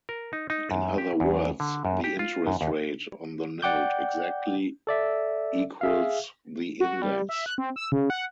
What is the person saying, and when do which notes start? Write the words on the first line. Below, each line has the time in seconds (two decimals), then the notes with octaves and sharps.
In other words, the interest rate on the note exactly equals the index.
0.09 A#4
0.33 D#4
0.50 D#4
0.71 F#2
0.98 G4
1.20 E2
1.60 D3
1.85 F#2
2.04 G4
2.19 F4
2.47 F#2
2.61 D#2
3.62 D5 F#5 G5 D6 G6
4.87 A4 D5 E5
5.81 G#4 E5 F5
6.80 F#4
7.02 G3
7.29 E5
7.46 F#6
7.58 C4
7.76 E6
7.92 C#3
8.10 F#5